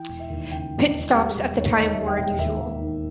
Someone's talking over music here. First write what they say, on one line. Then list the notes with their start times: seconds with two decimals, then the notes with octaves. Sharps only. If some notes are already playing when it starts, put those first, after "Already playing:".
Pit stops at the time were unusual.
Already playing: E3 G5
0.09 E1
0.19 E5
0.30 D#2
0.51 C#3 G5
0.72 E3
0.82 D#5
0.93 E1
1.13 G3 G4
1.29 G#4
1.34 E1
1.55 D#2
1.60 C#5
1.76 D#3 D#5
1.92 E5
1.97 G3
2.07 G5
2.17 E1
2.23 G5
2.38 D#2 E5
2.59 D#2
2.80 D#3